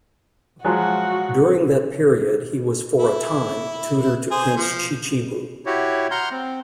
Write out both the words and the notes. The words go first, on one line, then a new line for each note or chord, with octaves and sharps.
During that period he was for a time tutor to Prince Chichibu.
F3 F#3 G#3 F#4
E4
G#4 C5
F3
E4 F#4 G4 C#5
F#5 A#5 C6 F6 G6
C4